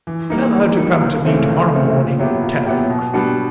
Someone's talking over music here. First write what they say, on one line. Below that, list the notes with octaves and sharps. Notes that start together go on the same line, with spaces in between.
Tell her to come to me to-morrow morning at ten o'clock.
E3
G3 A#3 D#4
E3
G3 A#3 D#4
C#2
C#3 E3 A3 C4
C#2
C#3 E3 A3 C4
A#2
F#3 B3 E4 G4
A#2
F#3 B3 E4 G4
B2
G3 B3 D4 F#4